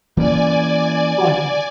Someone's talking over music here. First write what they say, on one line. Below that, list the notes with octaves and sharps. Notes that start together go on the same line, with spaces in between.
Go on ahead.
E3 A#3 C#4 D5 G#5